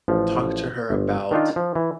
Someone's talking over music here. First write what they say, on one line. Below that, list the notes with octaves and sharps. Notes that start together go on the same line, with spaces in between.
talk to her about
A1 F3
G1
D#3 D4 D#4 F4
F3
E3